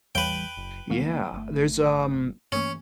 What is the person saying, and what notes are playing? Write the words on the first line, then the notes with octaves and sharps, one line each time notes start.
Yeah, there's, um,
A1 E2 E3 G3 B4 C#5 F5 G5
F#1
D2 D#3 G3 A#3 B3 F5
G1 A3
F#5 D#6
G2 E3 A3 A#3 C#4